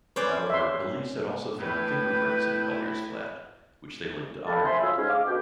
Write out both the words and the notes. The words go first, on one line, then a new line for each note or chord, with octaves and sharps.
However, police had also found fingerprints in Collier's flat, which they linked to Ireland.
C#4 B4 C5 D5
E5 C6
A2 E4 B4 G5
A4 F5 G5 A5 B5
C5 E5 G#5 B5 C6
F#3 F4 G#4 E6
G#2 C#4
F5 D6
D2 B2 F#4 G5